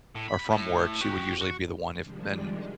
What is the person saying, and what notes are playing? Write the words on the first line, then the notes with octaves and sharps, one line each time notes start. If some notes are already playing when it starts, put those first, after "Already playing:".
or from work, she would usually be the one, if men
A2
B5
A2
F#4 G4
F#4
C3 D#3 F3 G3 G#3 D4